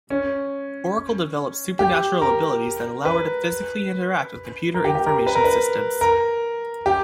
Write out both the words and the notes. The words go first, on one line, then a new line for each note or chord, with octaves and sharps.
Oracle develops supernatural abilities that allow her to psychically interact with computer information systems.
C#4
G4
A#4
B4
A#4
G4
G4
A#4
B4
A#4
B4
A#4
G4